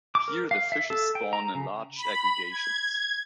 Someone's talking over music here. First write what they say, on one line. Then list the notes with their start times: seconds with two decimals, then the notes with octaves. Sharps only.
Here, the fishes spawn in large aggregations.
0.15 D6
0.28 A#4
0.51 F5
0.72 E5
0.90 A4
1.15 G5
1.33 A#5
1.55 C#3
1.95 B5
2.50 G#6